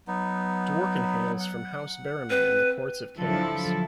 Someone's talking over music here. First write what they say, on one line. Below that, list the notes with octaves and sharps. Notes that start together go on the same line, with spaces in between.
Dworkin hails from House Barimen in the Courts of Chaos.
F#3 B3 D#4
F#5
C4 B4
D3 F3 F#3 E4 A4